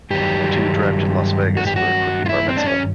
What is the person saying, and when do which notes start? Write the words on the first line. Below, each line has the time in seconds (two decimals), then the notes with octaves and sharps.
The two drive to Las Vegas for a quickie Bar Mitzvah.
0.10 G2 D#3 F#3 G4
1.57 F#4
1.67 G4
1.76 F#4
2.26 F4
2.29 E4
2.48 C4
2.57 D4
2.66 C#4